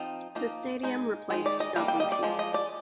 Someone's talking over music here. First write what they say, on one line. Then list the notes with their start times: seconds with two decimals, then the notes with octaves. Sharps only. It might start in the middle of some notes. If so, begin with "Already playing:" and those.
The stadium replaced Dudley Field.
Already playing: F3 C4 D#4
0.35 F3 A#3 D#4
0.83 G#3 D#4
1.30 D#3 G#3 D#4
1.46 D5
1.60 D#5
1.76 G3 A#3 D4 F5
1.88 G5
2.00 D#5
2.12 D5
2.23 F3 G#3
2.39 D#5
2.54 D5